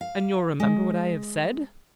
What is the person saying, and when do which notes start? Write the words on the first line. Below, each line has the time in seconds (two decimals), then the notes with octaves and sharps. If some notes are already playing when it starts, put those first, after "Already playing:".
"And you'll remember what I have said?"
0.01 F5
0.60 G#3